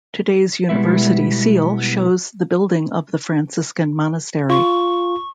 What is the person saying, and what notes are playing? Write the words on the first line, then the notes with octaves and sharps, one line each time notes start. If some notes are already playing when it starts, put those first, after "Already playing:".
Today's University seal shows the building of the Franciscan Monastery.
B2 G3 G#3 B3 E4 E5
F4 C#6